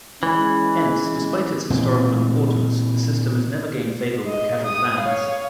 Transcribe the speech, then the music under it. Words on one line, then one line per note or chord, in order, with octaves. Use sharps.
Hence, despite its historical importance, the system has never gained favor with casual fans.
E3 G#3 C#4
A#2 E3 C4
D#5
D#6
C#5 F5